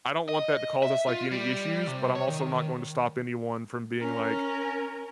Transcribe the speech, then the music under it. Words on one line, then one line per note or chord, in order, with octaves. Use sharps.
I don't want that to cause us, like, any issues, but I'm also not going to stop anyone from being like,
D#5
E5
F4
G3
C3
C#5
D#3
C#4 A#4